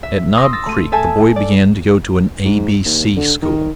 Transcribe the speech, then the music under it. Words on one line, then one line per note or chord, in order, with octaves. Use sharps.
At Knob Creek the boy began to go to an "A B C" school.
E5
C6 D#6 E6 A#6
E6 A6 A#6
A3 D#7
A4 E5 G#5 A5 G#6
D5
G#2
D#2
D3
D#3